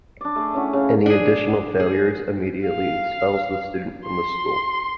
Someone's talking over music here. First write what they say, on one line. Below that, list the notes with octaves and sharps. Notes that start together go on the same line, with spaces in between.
Any additional failures immediately expels the student from the school.
D4 D5
A3 G#4
C#4 E4 F#5
C#3 F5
D4 G#4
G#4
F5
C6